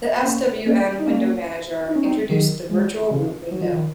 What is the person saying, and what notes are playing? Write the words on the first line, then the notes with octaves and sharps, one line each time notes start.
The swm window manager introduced the virtual root window.
A#3 C#4
A#3 C#4
D#4
A#3 C#4
D#4
C#4
C4 D#4
D#3 F#3
F3 G#3
C#3 F3
F#3
F3
D#3